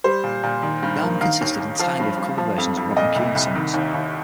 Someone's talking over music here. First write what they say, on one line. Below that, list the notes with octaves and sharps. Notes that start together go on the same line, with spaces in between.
The album consisted entirely of cover versions of Rod McKuen songs.
G3 C5
A#2
A#2
D#3
G2
A#3
D#3 F5
D#2
D#2
F3 F5
G2
G2
F3
F2
F2
A#2 D#5
C2
C2
D#3
D#2
D#2